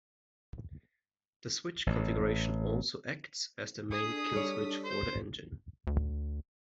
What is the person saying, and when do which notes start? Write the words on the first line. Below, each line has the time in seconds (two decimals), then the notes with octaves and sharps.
This switch configuration also acts as the main kill switch for the engine.
1.87 A1
3.91 D4 G#4 A4 D#6 B6
4.32 G3 C#5
4.84 C5
5.87 D2